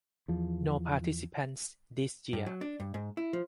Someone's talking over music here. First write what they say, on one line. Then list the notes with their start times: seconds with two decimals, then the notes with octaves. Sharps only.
No participants this year.
0.28 E2 F3
2.33 G2
2.46 F#3
2.61 D4
2.80 G2
2.94 G#2
3.17 E4
3.33 F3